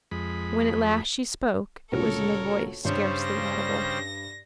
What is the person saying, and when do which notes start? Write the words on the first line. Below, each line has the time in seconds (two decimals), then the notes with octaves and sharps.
When at last she spoke it was in a voice scarcely audible.
0.11 F2 G#3 B5
1.92 D2 A#2 C#3 A4 A#4 C#5
2.85 G2 C#3 G3 C5 C#5
3.23 A#6